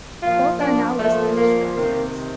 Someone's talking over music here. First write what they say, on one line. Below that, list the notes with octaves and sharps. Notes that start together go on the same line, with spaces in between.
Both are now listed structures.
A#2 F3 F4
D4
A#2 F3 A3
A#3
C3 D#3 A#3